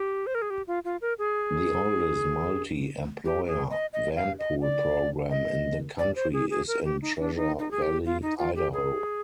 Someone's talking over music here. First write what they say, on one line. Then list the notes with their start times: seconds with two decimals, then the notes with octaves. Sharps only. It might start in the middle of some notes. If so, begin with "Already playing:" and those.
The oldest multi-employer vanpool program in the country is in Treasure Valley, Idaho.
Already playing: G4
0.27 C5
0.35 A#4
0.42 G#4
0.50 G4
0.67 F4
0.85 F4
1.02 A#4
1.19 G#4
3.25 G4
3.47 G#4
3.70 D#5
3.93 D#5
4.16 F5
4.39 D#5
4.62 D5
5.30 D#5
5.99 D5
6.16 C5
6.33 G#4
6.50 G#4
6.67 A#4
6.85 G4
7.02 D#4
7.19 D4
7.36 D#4
7.59 D#4
7.71 G#4
7.82 G4
8.05 F4
8.22 D#4
8.39 F4
8.56 G4
8.73 G#4